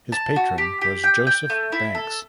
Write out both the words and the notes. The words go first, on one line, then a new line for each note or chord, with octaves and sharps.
His patron was Joseph Banks.
A5
F#4
G4
G4
G5
G5
A3
E4
A4